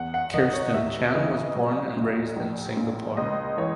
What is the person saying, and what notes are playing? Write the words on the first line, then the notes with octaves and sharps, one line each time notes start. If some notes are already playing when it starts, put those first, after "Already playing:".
Kirstin Chen was born and raised in Singapore.
Already playing: E2 F#5
F#5
D#3 D#5
C#5
D#2 E5
C#3 E3 D#5
B1
A#2
A#1
A#2
C#2 D#5
E3 C#5